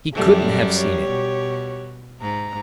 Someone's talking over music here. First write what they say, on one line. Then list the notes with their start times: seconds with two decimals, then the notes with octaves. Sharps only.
He couldn't have seen it ...
0.14 F#2 G3 A3 G4
0.76 G4 C#5
1.08 B2
2.21 G#2 A#5